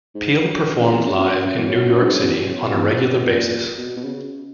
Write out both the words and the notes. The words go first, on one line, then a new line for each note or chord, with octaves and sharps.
Peel performed live in New York City on a regular basis.
G#2
F#2
F#2
E2
F#2
F#2
F#2
E2
F#2
G#2
F#2
E2
F#2
E2
F#2
A#2
B2
B2
C#3